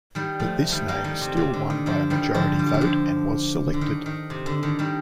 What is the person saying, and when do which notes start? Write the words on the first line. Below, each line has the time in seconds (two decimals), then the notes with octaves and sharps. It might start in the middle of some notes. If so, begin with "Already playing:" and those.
But this name still won by a majority vote and was selected.
0.15 D#3 G3
0.40 F3 A3
0.72 D#3 G3
0.88 G3 A#3
1.04 D#3 G3
1.21 C3
1.37 C3
1.54 D3
1.70 D#3
1.86 D3 F3
2.10 D#3 G3
2.34 D3 F3
2.59 G3
2.66 F3
2.74 D#3
2.81 D3 F3
3.74 D3
3.81 D#3
4.06 D#3
4.30 C3
4.46 D3
4.63 D#3
4.79 D#3 G3